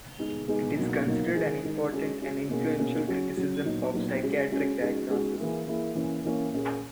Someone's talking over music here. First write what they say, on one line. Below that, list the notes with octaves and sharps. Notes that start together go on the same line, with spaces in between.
It is considered an important and influential criticism of psychiatric diagnosis.
G#3 B3 D#4 G#4
G#3 B3 D#4 G#4
B2 F#3 A#3 D#4
B2 F#3 A#3 D#4
D#3 G#3 D#4 G#4
D#3 G#3 D#4 G#4
G#3 C#4 F#4
G#3 C#4 F#4
B2 A#3 C#4 G#4
B2 A#3 C#4 G#4
C#3 F#3 C#4 F#4
C#3 F#3 C#4 F#4
A#2 F#3 B3 D#4
A#2 F#3 B3 D#4
C#3 G#3 C#4 F#4
C#3 G#3 C#4 F#4
C#3 G#3 D#4 F#4
C#3 G#3 D#4 F#4
E3 A#3 E4 G#4
E3 A#3 E4 G#4
E3 A#3 C#4
E3 A#3 C#4
A#2 A#3 C#4 G#4